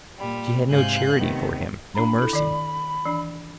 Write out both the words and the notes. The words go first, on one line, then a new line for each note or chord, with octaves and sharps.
She had no charity for him, no mercy.
A#2 G3 B5
G#2 C3 F5 G#5 F#6 G6
C3 D#3 A3 B3
D4 A#5 B5
E4 A4
D#3 D5
E3 D4